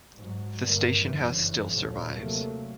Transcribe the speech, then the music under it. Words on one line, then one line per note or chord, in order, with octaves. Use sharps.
The station house still survives.
G#2 F#3
G2 A#2 D3 A#3
F#1 G2 C#3 E3
D#2 A#2 D3 F3 F#3
C3 F#3 A3 A#3